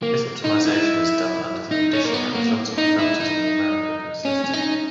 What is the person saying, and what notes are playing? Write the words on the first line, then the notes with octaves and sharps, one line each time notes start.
This optimization is done under the condition that resulting filters are numerically consistent.
A#3
D#4
E4
D#4
C#4
A#3
B3
A#3
D#4
E4
D#4
C#4
C#4
D#4